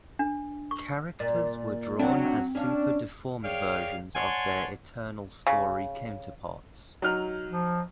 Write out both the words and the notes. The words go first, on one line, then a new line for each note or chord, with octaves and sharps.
Characters were drawn as super deformed versions of their Eternal Story counterparts.
D4
C#6
A#2 D5
E2 F#3 C4 D4
C#4 D4 F5
G#4 A#4 C#5 D5 F5 G5
C#5 D5 F#5 G#5 A5 C6
C#3
F#3 D#4 F6
F3